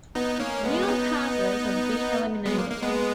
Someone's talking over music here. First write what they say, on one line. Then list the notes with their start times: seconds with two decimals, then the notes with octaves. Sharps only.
Annual passes have been eliminated.
0.15 B3 D#4
0.40 A#3 C#4
0.63 G#3 B3
0.83 C#4
0.88 B3 D#4
2.46 G#3 B3
2.58 A#3
2.70 A#3
2.82 G#3 B3